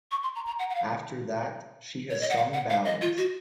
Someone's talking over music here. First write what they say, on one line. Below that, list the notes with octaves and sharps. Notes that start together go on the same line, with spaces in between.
After that, she has sung ballads.
C#6
C6
A#5
A#5
F#5
F#5
F5
C#5
D#5
F#5
F5
F#5
F5
D#5
F4
F#4